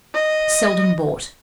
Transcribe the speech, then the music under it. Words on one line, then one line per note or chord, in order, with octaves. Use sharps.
Seldom bought.
D#5